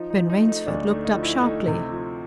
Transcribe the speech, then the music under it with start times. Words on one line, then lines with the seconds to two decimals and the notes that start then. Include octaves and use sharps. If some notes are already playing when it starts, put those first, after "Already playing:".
Ben Rainsford looked up sharply.
Already playing: F3 D#4
0.10 D#4
0.16 F3
0.30 D#4
0.41 A3
0.48 D#4
0.66 D2 D4
0.85 D#4
0.91 A3
1.05 D#4
1.16 F3
1.23 E4
1.42 A3 D#4
1.67 C3
1.92 F3